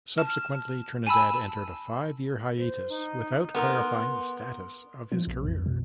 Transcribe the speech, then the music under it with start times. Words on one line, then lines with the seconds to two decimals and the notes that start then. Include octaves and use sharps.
Subsequently, Trinidad entered a five-year hiatus without clarifying the status of his career.
0.18 A5 F6
1.07 G#5 A5 B5 E6
2.58 C5
2.89 D#4
3.55 B3 A#4 C6
5.12 F3
5.27 A#1
5.45 F2
5.66 B2